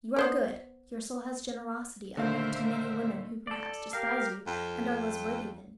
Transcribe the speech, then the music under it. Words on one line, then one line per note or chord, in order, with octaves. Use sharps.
You are good, your soul has generosity unknown to many women who perhaps despise you, and are less worthy than you.
B3 C5 D5
D#2 A#2 D3 A#4 C5 E5 F5
A4 D5
G4 A#4 F5
F2